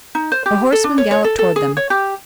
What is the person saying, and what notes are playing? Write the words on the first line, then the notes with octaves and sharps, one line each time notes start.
A horseman galloped toward them.
D#4
C5
G4
A4
D4
C#5
C#5
A4
A4
G#4
C#5
G4